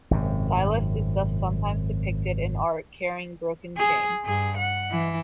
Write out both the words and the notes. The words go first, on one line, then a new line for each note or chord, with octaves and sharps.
Silas is thus sometimes depicted in art carrying broken chains.
G#1 F#2 C3
G#4
G2 G#4
F#5
E3